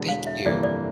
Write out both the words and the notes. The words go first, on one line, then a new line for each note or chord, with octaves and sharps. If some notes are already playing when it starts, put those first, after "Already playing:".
Thank you.
Already playing: E1 E2 D3
F5
E5
G1 F2 C3 E3 A#3 D5
D5